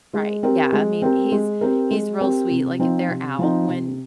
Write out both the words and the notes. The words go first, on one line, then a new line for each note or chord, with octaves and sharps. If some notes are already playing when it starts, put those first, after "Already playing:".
Right, yeah, I mean, he's he's real sweet, like, if they're out when,
G#3
C4 G4 A#4
G#3
C4 G4 A#4
G#3
C4 G4 A#4
G#3
C4 G4 A#4
C3
F3 C4 D#4
C3
F3 C4 D#4
C3